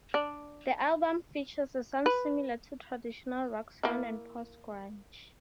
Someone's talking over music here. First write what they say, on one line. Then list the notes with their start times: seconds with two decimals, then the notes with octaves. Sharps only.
The album features a sound similar to traditional rock sound and post-grunge.
0.14 D4
2.06 B4
3.83 A#3 E4